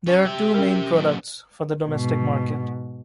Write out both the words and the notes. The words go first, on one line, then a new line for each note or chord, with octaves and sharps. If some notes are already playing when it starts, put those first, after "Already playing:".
There are two main products for the domestic market.
C#4
G4 E5
C#4 A#4
F#2 A#2
G#2 B2